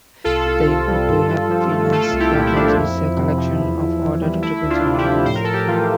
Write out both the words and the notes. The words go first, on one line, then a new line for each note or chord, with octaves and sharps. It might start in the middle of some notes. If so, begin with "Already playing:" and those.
The input to a betweenness problem is a collection of ordered triples of items.
C2 F4 A4
C2
C3
G3
G2
G2
F3
A3
A3 F4 A4
C2
E4 G4
A#2
E4
F3 D4
E4
F2
F2
C3
F3
E2
E2
E3
G3
A3 E4
D2
D4 F4
C3
E4 G4
F3
A2 C5
A#4
A2 A4
G4 A#4
E3 F4 A4